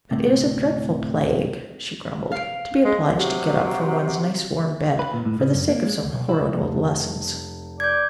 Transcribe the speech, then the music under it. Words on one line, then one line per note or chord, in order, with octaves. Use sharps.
"But it is a dreadful plague," she grumbled, "to be obliged to get up from one's nice warm bed, for the sake of some horrid old lessons!"
D2 A2 C3
F5 D7
G#3
C3 F#3
B4
A#2
A2
C#3
F#2
A#3
G#3
D2
B1
E4
F1
D5 G6 G#6